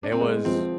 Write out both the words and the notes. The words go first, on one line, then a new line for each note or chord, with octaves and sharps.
It was
D4
C4
G#3 B3
F3 C4